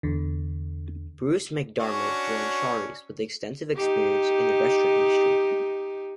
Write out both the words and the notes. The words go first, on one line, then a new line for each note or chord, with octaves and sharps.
Bruce MacDiarmid joined Shari's with extensive experience in the restaurant industry.
E2 D3
C#4 D4 F#4
D#4 G4